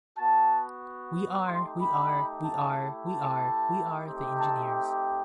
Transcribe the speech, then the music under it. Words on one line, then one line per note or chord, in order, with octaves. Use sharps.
We are, we are, we are, we are, we are the Engineers!
B3 F#4 A5
A3 D#4 G4 C6
B5
A5
A3 E4 G4
A5
A3 C4 D#4 G4
A5
G5